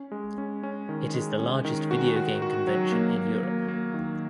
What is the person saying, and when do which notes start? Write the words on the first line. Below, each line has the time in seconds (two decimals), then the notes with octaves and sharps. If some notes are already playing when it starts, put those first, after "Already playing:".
It is the largest video game convention in Europe.
Already playing: C#4
0.12 G#3
0.38 C#4
0.63 C#4
0.89 D#3
1.14 G#3
1.39 C#4
1.65 D#3
1.91 F#4
2.16 F#4
2.42 F#4
2.67 F#3
2.92 A#3
3.17 A#3
3.44 A#3
3.68 A#3
3.94 D#3